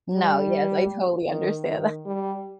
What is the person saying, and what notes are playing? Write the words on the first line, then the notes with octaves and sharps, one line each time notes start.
No, yes, I totally understand that.
G3
D#3
D#3
G3